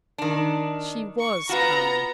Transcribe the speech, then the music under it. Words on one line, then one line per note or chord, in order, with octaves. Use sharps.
She WAS CARMEN.
D#3 D4
C#6
B3 F4 F#4 A#5